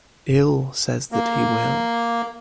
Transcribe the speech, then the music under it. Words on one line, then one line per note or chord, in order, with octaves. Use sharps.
Ill says that he will.
A#3